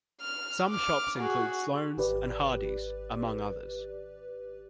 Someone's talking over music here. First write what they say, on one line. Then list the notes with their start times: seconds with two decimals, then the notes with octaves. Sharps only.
Some shops include Sloan's and Hardees, among others.
0.21 F6
0.71 D6 F6
1.18 F#4 G#4
1.97 G#1 G4 B4 D5